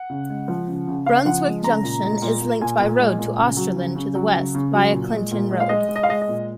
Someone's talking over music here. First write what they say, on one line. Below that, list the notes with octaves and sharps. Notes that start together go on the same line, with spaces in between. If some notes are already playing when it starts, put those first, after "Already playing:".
Brunswick Junction is linked by road to Australind to the west via Clifton Road.
Already playing: F#5
C#3
G#3
F3
C#3
C#3
C#3 F5
F3 F#5
G#3
C#3 A#5
A#2
G#3
A#2
A#2
A#2 G#5
A#2
G#3
A#2
C#3
F#3
C#3
C#3
F#3
C#3
C#3
F#3
A#2
G#3
A#2
G#3
F5
G#3 D#5
G#3
D#5
F5
G#3 D#5
D#5
A#2